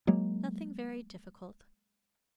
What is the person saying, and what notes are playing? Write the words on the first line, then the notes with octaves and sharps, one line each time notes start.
"Nothing very difficult."
F#3 G#3 A#3